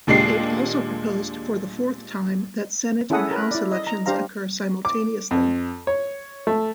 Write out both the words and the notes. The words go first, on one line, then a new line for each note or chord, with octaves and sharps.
It also proposed for the fourth time that Senate and House elections occur simultaneously.
D#2 A#2 G#3 D4 G4 C7
C#4 E4 G#4 A4 F#5 D#6
A#4 B4 C#5
E4 D5
D#5
A#5
D4 G4 C5 F5 A#5
D6
F2
C#5
A3